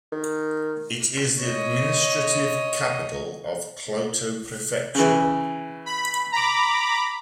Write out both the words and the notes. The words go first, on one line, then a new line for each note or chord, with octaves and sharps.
It is the administrative capital of Kloto Prefecture.
D#3
C#5 D#5
C#3 E3
B5
A#5 B5 D6